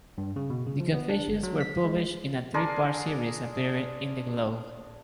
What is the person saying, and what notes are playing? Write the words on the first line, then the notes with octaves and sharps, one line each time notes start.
The confessions were published in a three-part series appearing in the "Globe".
G2
C#3
B2
C#3
F3
B3
D4
G1
F#3
B6
G#3
D4 G#4 A#4 C6